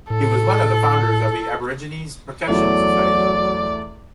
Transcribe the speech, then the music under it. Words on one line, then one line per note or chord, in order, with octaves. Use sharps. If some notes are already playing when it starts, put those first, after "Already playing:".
He was one of the founders of the Aborigines' Protection Society.
A2 A4
E2 F#3 A3 E4 D5